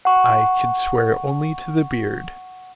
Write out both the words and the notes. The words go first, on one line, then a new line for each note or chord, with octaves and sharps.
"I could swear only to the beard."
F#5 C#6